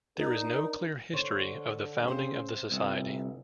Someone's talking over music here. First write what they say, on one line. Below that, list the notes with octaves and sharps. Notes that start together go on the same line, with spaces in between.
There is no clear history of the founding of the society.
D4 D#4 A#4
D3 C5 C#5
C#3 C4 C5
G1 C2